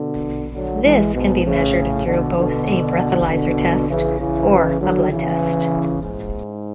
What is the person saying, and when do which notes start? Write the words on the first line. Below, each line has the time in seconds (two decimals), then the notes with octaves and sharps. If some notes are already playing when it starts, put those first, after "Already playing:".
This can be measured through both a breathalyzer test or a blood test.
Already playing: B2 D3
0.53 D3 F#3
0.84 E3 G#3
1.15 G#2 B2
1.45 A2 C#3
2.06 B2 D3
2.37 B2 D3
3.28 B2 D3
3.89 C#3 E3
4.20 C#3 E3
4.81 D3 F#3
5.11 C#3 E3
6.02 G#2